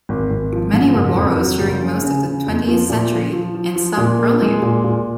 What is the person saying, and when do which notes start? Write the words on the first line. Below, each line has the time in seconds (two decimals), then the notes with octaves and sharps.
Many were boroughs during most of the twentieth century, and some earlier.
0.09 G#1
0.30 G#1
0.53 F3
0.73 G#2
0.95 F#1
1.16 F2
1.39 F#3
1.61 F#1
1.82 C#3
2.03 C#3
2.25 C#3
2.47 F2
2.68 F3
2.89 A#2
3.12 F3
3.33 F3
3.55 F3
3.76 F3
3.97 A#2
4.19 A#3
4.42 G#3
4.62 A#2
4.84 A#2